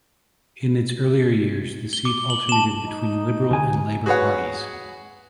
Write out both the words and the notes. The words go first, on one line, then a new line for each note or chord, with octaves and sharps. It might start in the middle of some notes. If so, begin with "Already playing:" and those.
In its earlier years the seat alternated between Liberal and Labour parties.
G7
D6
F#7
A5 E7
D#4
D2 G#5
F#4 G#4 B4 C#5 F#5